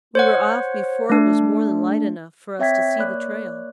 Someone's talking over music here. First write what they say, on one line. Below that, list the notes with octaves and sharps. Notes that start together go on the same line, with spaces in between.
We were off before it was more than light enough for us to see the trail.
C5 C#5 F#5
A3 D4
C4 C#5 E5 G5 G#6 B6
A#3 C#5 D5 F#6